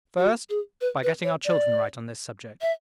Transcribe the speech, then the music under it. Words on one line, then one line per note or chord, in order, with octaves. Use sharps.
First, by getting our children right on this subject.
F#4
G#4
B4
B4
C#5
D5
E5